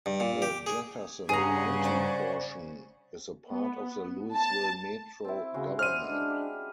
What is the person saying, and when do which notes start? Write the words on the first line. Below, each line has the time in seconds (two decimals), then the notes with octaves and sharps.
The Jefferson County portion is a part of the Louisville Metro government.
0.06 G2
0.20 A#2
0.42 G4
0.67 G#4
1.29 G2 C#3 G#4 F#5 G#5 A#5
1.84 C5 D5
3.50 B3
4.36 A5
5.24 C4 E4
5.54 C#3 C#4 F#4 C5
5.79 C5 D5 F6 D#7
6.03 G#3 D4
6.30 G4